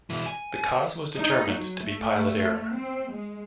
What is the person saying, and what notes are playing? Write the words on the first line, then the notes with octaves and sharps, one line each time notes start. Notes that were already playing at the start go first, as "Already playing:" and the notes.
The cause was determined to be pilot error.
B2 E3
G#5
D#4
F#3
A3
C4
G#3